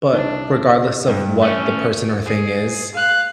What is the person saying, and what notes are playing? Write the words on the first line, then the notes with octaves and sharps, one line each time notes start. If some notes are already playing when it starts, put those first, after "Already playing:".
But regardless of what the person or thing is,
C2 D4 D#4
G2
A3 C#4
G#4
F5 F#6